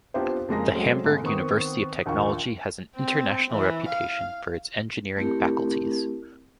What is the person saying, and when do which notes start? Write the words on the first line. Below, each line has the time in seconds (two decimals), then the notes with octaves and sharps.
The Hamburg University of Technology has an international reputation for its engineering faculties.
0.14 B3 C4 D4 F4 G4 C5
0.48 F2 C#3 G#3 A#3 A#6
0.75 F#3 G#3 A3 C4 C#4
1.04 G#1 G#3 A3
1.24 D#3 B3 C4 C#6 D#6
2.06 A#1 D#2 F4 C#6
2.96 C4
3.51 E3
3.89 F5
5.17 A3 C4 E4 G4 A#4